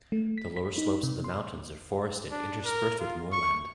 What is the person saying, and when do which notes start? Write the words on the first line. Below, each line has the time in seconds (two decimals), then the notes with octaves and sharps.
The lower slopes of the mountains are forested interspersed with moorland.
0.12 A3
0.38 B6
0.56 B6
0.78 D#4
1.03 C3
1.24 C6
2.31 D4
2.65 A#4
2.99 F4
3.32 C#6